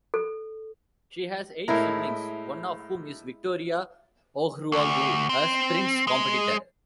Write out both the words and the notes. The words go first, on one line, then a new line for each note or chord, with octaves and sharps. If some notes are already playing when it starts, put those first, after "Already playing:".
She has eight siblings, one of whom is Victoria Ohuruogu, a sprints competitor.
A4
A2 G#3 E4 A#4 A#5
D2
C4
G#3